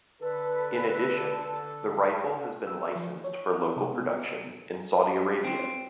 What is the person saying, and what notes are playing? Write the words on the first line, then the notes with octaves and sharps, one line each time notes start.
In addition, the rifle has been licensed for local production in Saudi Arabia.
D3 A4 B4
E6
F3
C#5
C3
B3
C4